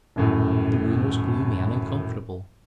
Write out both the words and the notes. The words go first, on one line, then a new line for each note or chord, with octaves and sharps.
The room was gloomy and uncomfortable.
D#1 F#2 A2